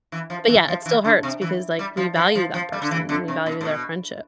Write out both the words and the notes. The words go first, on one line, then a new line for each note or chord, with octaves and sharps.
But yeah, it still hurts because, like, we value that person and we value their friendship.
E3
F3
E3
F3
E3
D3
C3
E3
G3
F3
F3
F3
F3
G3
D3
E3
D3
C3
B2
A2
B2